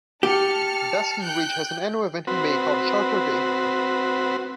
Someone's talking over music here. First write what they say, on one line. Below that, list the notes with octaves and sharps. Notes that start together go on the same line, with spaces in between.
Basking Ridge has an annual event in May called Charter Day.
G4 A5 F6 C#7
G5 F#6 G6
C4 F#4 B4